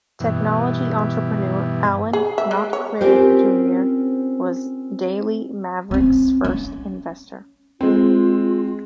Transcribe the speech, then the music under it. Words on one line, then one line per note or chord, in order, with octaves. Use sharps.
Technology entrepreneur Alan Knott-Craig Junior was "Daily Maverick"'s first investor.
G2 B2 E3
G#4
E5
G#3
C#5
C4 C#4 F4 G4 A#4 C5
C4 C#4
C#4
G#3 C4 F4